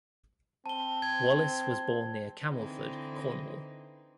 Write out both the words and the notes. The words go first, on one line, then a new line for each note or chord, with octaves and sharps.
Wallis was born near Camelford, Cornwall.
C4 A5 G7
G#6
D3 E3 C4 D#4